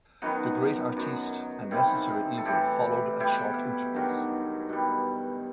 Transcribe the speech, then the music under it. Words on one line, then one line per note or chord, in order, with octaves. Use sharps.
"The Great Artiste" and "Necessary Evil" followed at short intervals.
F#2 D#3 F#3 B3 D#4
F#2 F#3
F#2 D#3 G3 C4 E4
A4
A2 E3 G3 E4 G4
B2 G3 E4 G4
G2 D#3 F#3
B2 G3